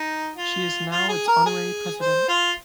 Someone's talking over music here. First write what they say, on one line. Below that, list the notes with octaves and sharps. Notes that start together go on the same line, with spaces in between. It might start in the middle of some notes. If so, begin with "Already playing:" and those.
She is now its Honorary President.
Already playing: D#4
F4
F4
G#4
A#4
G#4
C5
F4